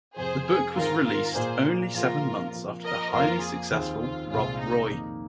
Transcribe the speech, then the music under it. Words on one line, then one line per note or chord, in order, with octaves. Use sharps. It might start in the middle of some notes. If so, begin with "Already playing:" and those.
The book was released only seven months after the highly successful "Rob Roy".
F2 C3 F3 G#4 C5
G#4
G#2 D#3 C4 F4 G#4 A#4 C5
F4 A#4
A#2 A#3 F4 G#4 A#4 C5
F3 A#3 F4 G#4 A#4
F3 C4 F4 A#4
A#4 D#5
F2 F3 A#3 F4 A#4
G#4
D#2 D#3 C4 F4 G#4
F4
C2 A#2 G#3 C4 F4 G#4
D#4
F2 D#3 A#3 D#4 G#4